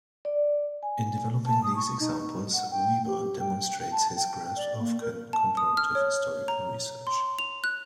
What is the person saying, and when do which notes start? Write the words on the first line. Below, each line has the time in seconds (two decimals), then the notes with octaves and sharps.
In developing these examples, Weber demonstrates his grasp of comparative historical research.
0.25 D5
0.83 G#5
1.46 A5
1.63 D#6
1.76 C#6
2.00 D#4
2.54 F#5
2.71 G5
3.08 G4
3.39 G5
3.91 A5
4.17 G5
4.57 D5
4.78 A#3
5.01 A#4
5.33 A5
5.57 D#6
5.77 F6
5.95 C#5
6.48 A#5
7.07 C6
7.39 F7
7.64 F#6